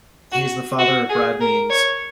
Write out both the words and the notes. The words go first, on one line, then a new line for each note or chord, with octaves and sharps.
He is the father of Brad Means.
F#4
F#4
G#4
A#4
C#5